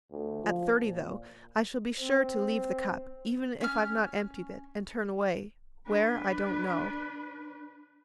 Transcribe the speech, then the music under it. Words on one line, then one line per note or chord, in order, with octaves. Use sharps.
At thirty, though, I shall be sure to leave the cup, even if I've not emptied it, and turn away--where I don't know.
D2
F3
A#2
C4
C#4 F6
D4 B4